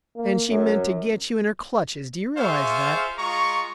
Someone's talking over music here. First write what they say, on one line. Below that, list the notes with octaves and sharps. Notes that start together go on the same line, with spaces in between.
"And she meant to get you in her clutches, do you realize that?"
A#3
F#2
F4 G#4 C5 E5 F5 C#6
G#3 F4 A#5 C#6